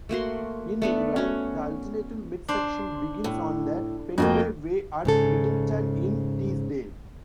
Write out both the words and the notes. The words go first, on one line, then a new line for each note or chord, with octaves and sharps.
In England, the alternative midsection begins on the Pennine Way at Middleton-in-Teesdale.
A3 A#3 F#4 C6
A3 B3 D4
C#4 F#4
D4 C5
A2
F2 A#3 F#4 D#5 G5
G#2 C#3 A4